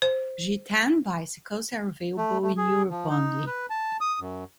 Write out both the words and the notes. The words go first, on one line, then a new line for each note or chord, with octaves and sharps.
Gitane bicycles are available in Europe only.
C5
A3
A3
G#4
F3
D#4
B4
A5
D#6
F#2